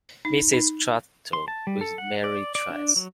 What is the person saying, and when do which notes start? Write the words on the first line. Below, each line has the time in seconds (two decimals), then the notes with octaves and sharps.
Mrs Traxel was married twice.
0.25 D#4
0.53 D#4
1.33 C6
1.48 A5
1.67 G3
1.81 A4
1.98 F#5
2.24 D5
2.55 D5
2.70 D4
2.96 F#3